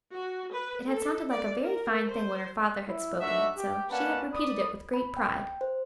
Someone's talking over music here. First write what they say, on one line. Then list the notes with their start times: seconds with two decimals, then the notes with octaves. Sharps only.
It had sounded like a very fine thing when her father had spoken it, so she had repeated it with great pride.
0.12 F#4
0.51 B4
0.88 A4
1.30 D5
1.62 A#4
2.10 C5
2.88 E4
3.20 A3 D4 D#4 F#4 E5
3.57 G4
3.90 A#3 C#4 B4 D5 F#5 A5
4.33 D5 B5 D#6
4.94 B5
5.17 G5
5.61 C5